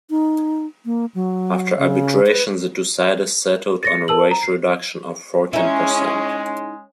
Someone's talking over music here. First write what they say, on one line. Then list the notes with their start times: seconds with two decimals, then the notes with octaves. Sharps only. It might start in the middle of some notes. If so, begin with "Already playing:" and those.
After arbitration the two sides settled on a wage reduction of fourteen percent.
0.10 D#4
0.85 A#3
1.15 F#3
1.79 C#3
2.26 B4
3.83 A6 A#6 C#7
4.08 A#4 A5 E6 F#7
4.31 A#5
4.43 C7
5.53 G#3 C#4 D#4 E4